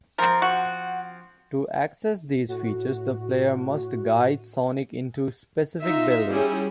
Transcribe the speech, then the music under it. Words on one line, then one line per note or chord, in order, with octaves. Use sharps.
To access these features, the player must guide Sonic into specific buildings.
F3 C4 A#4
F#4 F#5
A2 F#4
D#4 F4 E5
G3 C#4 E4 G#4